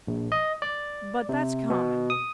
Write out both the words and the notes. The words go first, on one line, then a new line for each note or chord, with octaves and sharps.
'But that's common.
A#1
D#5
D5
C3
B2
D#6